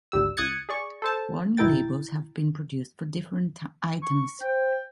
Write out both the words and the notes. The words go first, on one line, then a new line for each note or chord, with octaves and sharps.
Warning labels have been produced for different items.
G#1 D2 G3 E6
C#2 D#6 F#6 G#6 A6 C#7
G#4 D5 C#6
A4 C5 A5
G1 B2 E4 A#4 G5 A6
C#6
C5 G5